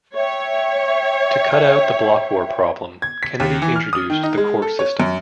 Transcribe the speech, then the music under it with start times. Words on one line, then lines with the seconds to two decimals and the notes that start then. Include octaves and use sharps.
To cut out the block war problem, Kennedy introduced the court system.
0.15 C#5 E5 G5
3.02 G#6
3.23 B6
3.40 D#2
3.62 E3
3.76 F6
3.93 D#6
4.10 D#3
4.23 D#4
4.38 G#3
4.62 A4
4.79 C#5
5.00 F#2